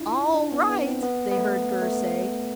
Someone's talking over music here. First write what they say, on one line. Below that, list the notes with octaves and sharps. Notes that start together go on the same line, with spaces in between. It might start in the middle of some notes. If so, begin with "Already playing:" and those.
"All right!" they heard Gurr say.
Already playing: D4 E4 F4
E4
D4
B3
B3
C4
B3
B3
A3
B3
A3
B3